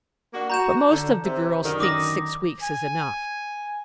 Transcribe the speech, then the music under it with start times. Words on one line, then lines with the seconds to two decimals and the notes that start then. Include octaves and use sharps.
"But most of the girls think six weeks is enough."
0.34 A#3 D4 F#4
0.50 F#4 A#5 G6 E7
0.91 D3
1.24 C3
1.65 F#2 D3 D#3
1.80 D6 D#6 A#6
2.62 G#5